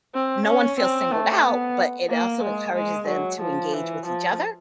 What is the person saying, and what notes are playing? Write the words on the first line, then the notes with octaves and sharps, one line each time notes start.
no one feels singled out, but it also encourages them to engage with each other,
C4
C#4
C4
A3
B3
A#3
G#3
G#3
F#3
F3
E3
F3